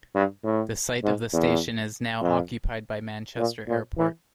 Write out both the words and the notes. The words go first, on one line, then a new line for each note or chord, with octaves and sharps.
The site of the station is now occupied by Manchester Airport.
G2
A2
G#2
E2
F2
A#2
A#2
E3